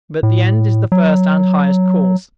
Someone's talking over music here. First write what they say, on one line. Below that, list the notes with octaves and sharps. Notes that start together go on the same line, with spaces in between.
But the end is the first and highest cause.
A2
F#3